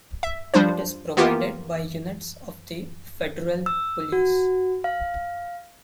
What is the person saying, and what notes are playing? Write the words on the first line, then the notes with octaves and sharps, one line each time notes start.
It is provided by units of the Federal Police.
E5
F3 G3 D4 F4 C5
E3 A#3 B3 F4 G4 A#4
E6
F#4
F5